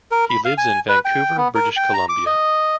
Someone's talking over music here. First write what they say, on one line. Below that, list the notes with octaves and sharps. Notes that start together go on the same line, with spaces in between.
He lives in Vancouver, British Columbia.
A#4
B5
F5
G#5
B4
G5
B3
A#4
G5
A#5
D6
D#5